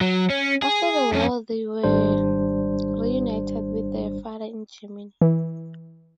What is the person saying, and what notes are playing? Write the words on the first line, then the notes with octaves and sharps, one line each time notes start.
After the war they were reunited with their father in Germany.
F#3
C#4
G#4
F2 C#4
G#1 G3 D4 C5
E3